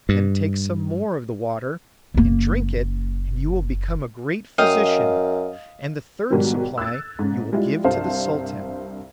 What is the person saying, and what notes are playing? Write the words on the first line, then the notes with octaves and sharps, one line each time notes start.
Then take some more of the water, and drink it, and you will become a great physician, and the third supply you will give to the Sultan.
G2
F#1 A#3
F#2 D#5 F5 G5
G#2 B2 D#3 F#3 G3
E6 F#6 G#6 A6
G#2 C#3
G3 G#3 E4 F4
C2 G2 C5 F5 A5